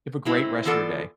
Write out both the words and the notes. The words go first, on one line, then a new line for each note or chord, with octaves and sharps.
Have a great rest of your day.
A2 G#3 C4 E4
E3 B3 F4 A4 D5